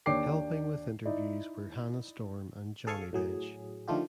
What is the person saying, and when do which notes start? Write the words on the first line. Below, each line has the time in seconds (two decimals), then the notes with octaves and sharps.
Helping with interviews were Hannah Storm and Johnny Bench.
0.06 D#2 D4 C#5 G5 D6 C7
1.05 D#4 E4 D5
2.87 G#4 A4 F5 G#5 C#6
3.13 A2 F#3 G#4
3.88 D3 D#3 F3 A3 F4 G4